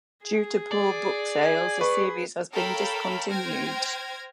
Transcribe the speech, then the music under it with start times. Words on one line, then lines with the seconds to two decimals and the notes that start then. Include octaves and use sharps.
Due to poor book sales, the series has been discontinued.
0.24 G#4
0.72 D5
1.44 G#5
1.81 B4 C#6
2.53 A4 A#4 C#5 F5 G5 B5
3.29 C5 G5 F6 G#6 A#6